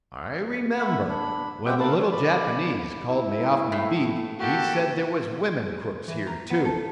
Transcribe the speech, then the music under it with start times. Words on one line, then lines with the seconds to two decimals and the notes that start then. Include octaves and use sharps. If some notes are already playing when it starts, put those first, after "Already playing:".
"I remember--when the little Japanaze called me oft me beat, he said there was women crooks here, too."
0.79 E5 F#5 B5
1.09 D4 B5
1.66 G#3 C4 G4 E5 F#5 G5
1.80 D#4 A4 A#4 F5 A5 B5
2.00 C#5
2.12 D5 B5
3.11 E4
3.72 A2
4.40 A#3 F#4 G4 A4
6.08 E3
6.27 A#5
6.50 B3
6.65 A4